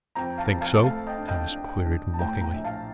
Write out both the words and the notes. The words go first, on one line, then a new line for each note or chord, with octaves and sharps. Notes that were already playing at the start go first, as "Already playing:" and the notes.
"Think so?" Ernest queried mockingly.
F2 G5 A#5
F5 A5
F2
F5 A5
A3 F5 A5
D#5 G5
D4
D#5 G5
D4
D4
A5
A2 G5 A#5
G5 A#5
A#1
F5 A5